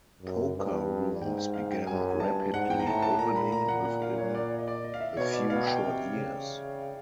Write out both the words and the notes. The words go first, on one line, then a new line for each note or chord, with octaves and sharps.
Poker rooms began rapidly opening within a few short years.
F#2
G2
G#2 G5
G5
F5
G5
F#2 G#5
G#5
G2 A5
G#2 F#5
G5
A#5
A2 A5
A5
A#2 A#5
B5
A#5
F#5
F#5
F5
C#5
D5
D#5
D5
D#5
F5
E5
B2 C#5
D5
B2 F5
G5
C3
C#3